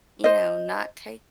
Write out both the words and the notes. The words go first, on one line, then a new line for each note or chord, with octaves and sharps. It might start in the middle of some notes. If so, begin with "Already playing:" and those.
you know, not take
C5 D#5